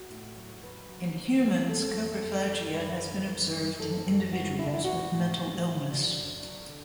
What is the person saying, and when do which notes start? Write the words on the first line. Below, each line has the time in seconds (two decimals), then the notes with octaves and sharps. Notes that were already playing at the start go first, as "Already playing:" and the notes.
In humans, coprophagia has been observed in individuals with mental illness.
Already playing: F#4
0.10 A2
0.37 F#3
0.63 F#3 B4
0.89 F#3
1.16 F#3
1.42 F#3
1.69 F#2 A4
1.95 F#2
2.22 F#2
2.48 F#2
2.74 F#2 B4
3.01 D3
3.27 F#2
3.53 D3
3.80 F#2 A4
4.06 F#2
4.33 F#2 F#4
4.59 F#2 E4
4.67 D4
4.74 E4
4.85 E3 F#4
5.12 A2
5.38 A2
5.64 E3
5.91 D3 D4
6.17 F#2
6.43 F#3
6.69 D3